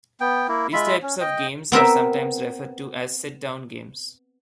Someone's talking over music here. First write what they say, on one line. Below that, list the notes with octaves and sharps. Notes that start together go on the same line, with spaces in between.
These types of games are sometimes referred to as "sit-down" games.
B3 G5
A#3 E4
G#3 F4 E5 B5
C#4
D#5 G5
B3 C4 A#4 E5